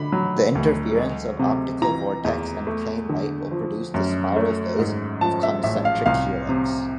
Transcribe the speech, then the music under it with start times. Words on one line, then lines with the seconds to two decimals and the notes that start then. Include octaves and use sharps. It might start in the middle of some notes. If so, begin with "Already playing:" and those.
The interference of optical vortex and plane light will produce the spiral phase of concentric helix.
Already playing: D3 B5
0.12 F#3
0.55 D2
0.97 G#3
1.39 C3
1.82 E3 A#5
2.25 E2
2.67 A3
3.09 D3
3.51 F3
3.94 F#2
4.36 A3
4.79 G#2
5.21 F3 A5
5.43 E5
5.63 A1 E5
5.85 F5
6.06 C2 F5
6.49 C3